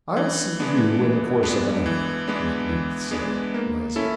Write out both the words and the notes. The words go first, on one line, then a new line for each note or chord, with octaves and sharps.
"I'll see you in the course of an hour," he at length said, rising.
E3
G#3 B3 D4
E3
G#3 B3 D4
E3
G#3 B3 D4
E3
G#3 B3 D4
A#3
C#4 E4 A4